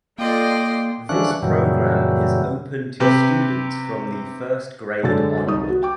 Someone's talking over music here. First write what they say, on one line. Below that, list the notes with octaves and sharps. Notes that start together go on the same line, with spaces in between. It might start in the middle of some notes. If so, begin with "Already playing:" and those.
This program is open to students from the first grade onward.
A#3 F4 A4 D5 D#5 G5 C6
D3 E3 F3 C#4 D4 F#6
F#2 A#2 C#3 E3 F#3 G3
C3 G4 B4
F#2 D3 G#3 A4 A6
C2 D#4 D#6
F#4
G5 D6